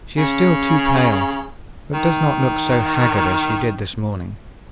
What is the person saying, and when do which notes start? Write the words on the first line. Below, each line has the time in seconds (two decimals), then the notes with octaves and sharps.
She is still too pale, but does not look so haggard as she did this morning.
0.17 C#3
1.94 D#3